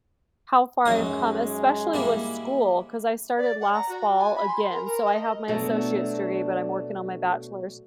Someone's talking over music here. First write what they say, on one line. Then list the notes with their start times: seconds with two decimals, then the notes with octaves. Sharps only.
how far I've come, especially with school, 'cause I started last fall, again. So, I have my associate's degree, but I'm working on my bachelor's.
0.86 F#2 G#3 D#4 D#6
1.94 G3 A#3 E4
3.38 D5
3.60 F#5
3.73 A#5
3.89 F#4
4.16 G#5
4.36 B5
4.48 C6
4.70 A#4
4.85 A#4
5.06 D#5
5.48 B2 F#3 A3 D4